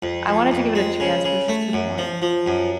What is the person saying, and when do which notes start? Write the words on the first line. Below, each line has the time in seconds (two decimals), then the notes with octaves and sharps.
I wanted to give it a chance, but it's just too boring.
0.02 F2
0.27 F2
0.51 F2
0.75 G#3
1.00 C#3
1.25 C#3
1.48 A3
1.73 F#2
1.98 F3
2.22 F3
2.46 F#2